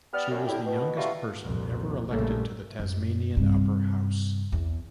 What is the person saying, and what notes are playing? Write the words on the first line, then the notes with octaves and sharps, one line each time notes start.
She was the youngest person ever elected to the Tasmanian upper house.
B3 G4 D5 F6
F#2
A2 D4 E4 G4
B2
D#3 E3 G3 A3 F4 F#4
C2 F2 A#2
A#1 F#2 C#3 G3 A3 A#3
F#2
G2 C3
E2